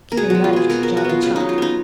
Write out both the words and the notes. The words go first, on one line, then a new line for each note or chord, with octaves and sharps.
Peter nudged Johnny Chuck.
A#4
B2 G#4
G#3 F#4
F4
B3 G#4
B2 A#4
F#3 A#4
F#4
B3 F4
C#3 F4
F#3 D#4
F4
B3 D#4